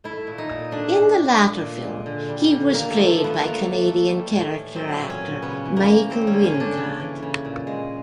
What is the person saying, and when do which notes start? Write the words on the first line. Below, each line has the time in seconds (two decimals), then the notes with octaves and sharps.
In the latter film, he was played by Canadian character actor Michael Wincott.
0.04 A3 E4
0.27 A#2
0.38 D#4
0.49 A#2
0.71 A3 D4
0.94 A2
1.16 A2
1.39 A#2
1.61 A#2
1.84 G#3
2.06 D3
2.29 G3
2.51 D3
2.74 A#2 A#3
2.90 A3
2.96 F3
3.07 A3
3.18 F3
3.24 B3
3.41 A3 A#3
3.63 A3
3.86 A3
4.08 G3
4.31 A2
4.54 E3
4.75 F#3 C4
4.99 A#2
5.10 C#4
5.21 A#2
5.42 C#3 B3
5.65 E3
5.77 A#3
5.87 C#3
6.10 G3 C4
6.27 C#4
6.33 D3
6.44 C#4
6.55 D3
6.60 D4
6.77 C#3 C#4
7.00 E3
7.23 C#3
7.45 A#2
7.67 G#3